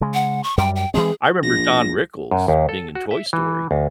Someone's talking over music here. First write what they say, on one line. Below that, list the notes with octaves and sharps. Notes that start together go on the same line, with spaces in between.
I remember Don Rickles being in Toy Story,
C#3 G#3
F#5
C#6
F#2 G3 G5
G5
E3 G#3 C4 G#4
A#1 A#6
F#2
D#2
A4
F#4
E5
E3
D2